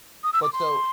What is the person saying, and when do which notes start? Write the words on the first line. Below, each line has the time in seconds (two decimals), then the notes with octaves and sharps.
But so
0.24 D#6
0.33 E6
0.43 D6
0.53 C6